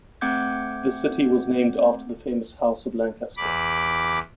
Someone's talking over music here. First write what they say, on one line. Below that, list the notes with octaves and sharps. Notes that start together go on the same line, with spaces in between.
The city was named after the famous House of Lancaster.
A3 C4 F#5 D6 G6 G#6
E2 B5 D6